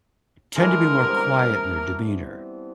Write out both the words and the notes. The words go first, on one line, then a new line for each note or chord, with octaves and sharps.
tend to be more quiet in their demeanor,
D3 E3 G#3 A#4
G3 B3 C4